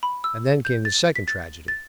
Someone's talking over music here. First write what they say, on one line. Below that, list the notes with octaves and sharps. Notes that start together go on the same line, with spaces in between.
And then came the second tragedy.
B5
E6
G6
A6
B6
A6
A6